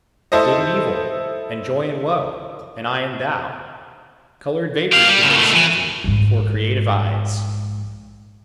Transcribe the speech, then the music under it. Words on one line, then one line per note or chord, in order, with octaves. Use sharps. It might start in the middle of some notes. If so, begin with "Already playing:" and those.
Good and evil, and joy and woe, and I and thou--coloured vapours did they seem to me before creative eyes.
E4 A4 C5 D#5
G4 F5
G3
A2 C#3
B2 A3
E3
A#1 G#2